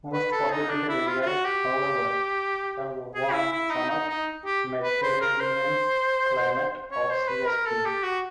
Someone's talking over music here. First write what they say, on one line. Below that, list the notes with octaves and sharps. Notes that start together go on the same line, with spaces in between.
Most populated areas, however, have a warm-summer Mediterranean climate, or "Csb".
B4
A4
D#4
D4
E4
F4
F4
F#4
G4
G#4
E4
E4
D#4
D#4
D#4
G4
B4
C5
A#4
C5
C#5
C5
B4
A#4
A4
G4
F#4